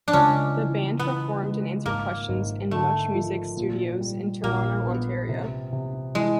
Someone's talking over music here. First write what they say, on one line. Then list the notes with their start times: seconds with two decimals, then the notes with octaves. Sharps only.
The band performed and answered questions in MuchMusic's studios in Toronto, Ontario.
0.08 D4
0.13 C#2 C#4
0.57 E3
0.99 E3 B3
1.43 G#3
1.85 G#1 A#3
2.29 G#1
2.71 D3 A3
3.14 F3
3.57 A#2
4.01 G3
4.43 A#1 A#3
4.87 B3
5.29 C3
5.73 C3
6.15 E3 G#3